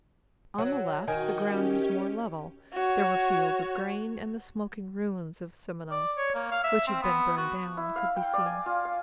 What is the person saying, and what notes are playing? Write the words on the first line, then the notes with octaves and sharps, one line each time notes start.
On the left the ground was more level; there were fields of grain, and the smoking ruins of Semenovsk, which had been burned down, could be seen.
F#3
D#3 F#4 D#5 G5 G#5
C#4 G4
F#4 C#5
D5
C#5
A#3
F5
E5
C4
B3
F#4
E4
F5
G5
D5
G#5
F4
F5